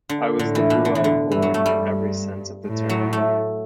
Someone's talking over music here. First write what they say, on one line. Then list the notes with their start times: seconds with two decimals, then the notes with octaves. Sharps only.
I was the blue-eyed boy in every sense of the term.
0.09 D3
0.39 A2 D3
0.55 E3
0.70 B2
0.85 D3
0.95 E3
1.04 D3
1.31 G2 E3
1.42 F#3
1.54 A3
1.66 G3
1.76 G2
2.67 A2
2.89 F#3
3.13 A3